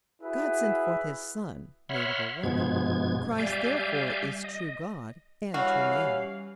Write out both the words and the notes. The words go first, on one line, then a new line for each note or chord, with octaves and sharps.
"God sent forth His Son, made of a woman." Christ therefore is true God and true man.
E4 F#4 G#4 B4 E5
C#5 E5 F#5 B5 C6 F6
G2 B2 F3 G#3 B3 G#6
G3 D5 E5 F5 G#5 G6
D#5
E3 G3 C#4 F#4 F5